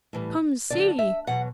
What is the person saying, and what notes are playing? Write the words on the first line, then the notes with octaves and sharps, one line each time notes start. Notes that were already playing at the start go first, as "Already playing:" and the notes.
"Come, see!"
A2 E3 G3
D2 D3 F#3 D5
E5
E2 B2 F#3 F#5